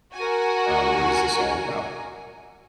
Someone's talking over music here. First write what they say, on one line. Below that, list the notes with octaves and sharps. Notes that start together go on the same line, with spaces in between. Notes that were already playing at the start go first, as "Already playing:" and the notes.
uh, what is this all about?"
F#4 A#4 G#5